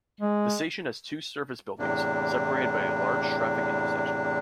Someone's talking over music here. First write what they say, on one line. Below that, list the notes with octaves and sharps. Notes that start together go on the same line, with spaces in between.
The station has two surface buildings, separated by a large traffic intersection.
G#3
E2 A2 C3 A#3 D4